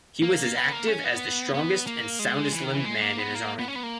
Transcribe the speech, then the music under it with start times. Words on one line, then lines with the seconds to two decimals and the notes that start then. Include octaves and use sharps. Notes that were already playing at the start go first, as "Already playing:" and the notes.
He was as active as the strongest and soundest-limbed man in his army.
0.22 A#3
0.56 B3
0.72 A#3
0.89 C#4
1.04 B3
1.55 B3
1.87 A#3
2.19 G#3
2.52 E3
2.64 D#3
2.75 E3
2.85 G#3
3.02 A#3
3.19 B3
3.35 A#3
3.59 B3
3.68 C#4
3.75 B3
3.83 A#3